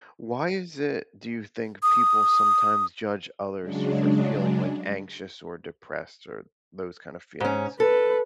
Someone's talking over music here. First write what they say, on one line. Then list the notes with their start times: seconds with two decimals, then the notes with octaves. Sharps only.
Why is it, do you think, people sometimes judge others for feeling, like, anxious, or depressed, or those kind of feelings?
1.83 D#6
3.62 C#3 F#3 G#3 D4
7.40 G#2 C#4
7.80 A4 B4